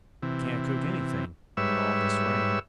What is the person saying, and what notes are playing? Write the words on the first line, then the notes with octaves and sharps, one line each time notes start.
We can't cook anythin' in all this rain.
C3 E3
G#2 G3 B4 C#5 E5 E6